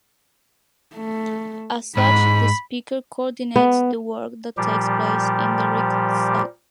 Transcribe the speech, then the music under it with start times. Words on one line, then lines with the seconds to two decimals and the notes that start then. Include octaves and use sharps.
As such the speaker coordinates the work that takes place in the Riksdag.
0.95 A3
1.97 G#2 B5
3.56 B3
4.57 A#2 F3 G3 G4